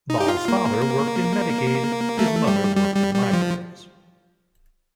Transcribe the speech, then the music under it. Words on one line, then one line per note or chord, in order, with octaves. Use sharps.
Ball's father worked in Medicaid; his mother worked in libraries.
D#4
G4
F4
A#3
A3
G3
G3
G3
G3
F3